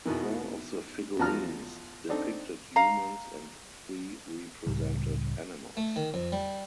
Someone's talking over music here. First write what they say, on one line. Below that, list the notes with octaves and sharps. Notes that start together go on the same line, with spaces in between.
Four of the figurines depicted humans and three represented animals.
E2 B2 D#3 E3
E2 F3 F#4 A5 A#5 F6
C4 D4 D#4 A4
F5 A#5
C#2 A2 C#3 G3
A3
D#3
F2
G3